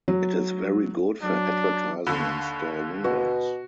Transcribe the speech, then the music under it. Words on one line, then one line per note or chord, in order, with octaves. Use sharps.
It is very good for advertising on store windows.
F#3
F#3 D4
D#2 D3 B5
B2 F#4